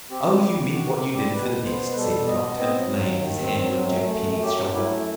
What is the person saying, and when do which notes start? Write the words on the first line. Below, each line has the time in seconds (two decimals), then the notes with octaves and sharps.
"Oh, you meant what you did for the best!" said the doctor, laying his hand on Jack Penny's shoulder.
0.10 C4 G4
0.32 G3
0.41 G4
0.51 E2
0.73 D#3 F#4
0.93 C4 G4
1.14 G3 G4
1.34 B2 B4
1.55 B3
1.65 C5
1.75 B2
1.91 B4
1.96 G3 A4
2.17 B2
2.27 D#5
2.37 B3
2.58 C4 D#5
2.79 F#3
2.99 D#2
3.20 D#3
3.41 C4
3.61 F#3
3.82 F#2
4.02 A3
4.22 F#2
4.43 F#3 G4
4.64 F#2
4.74 E4
4.85 A3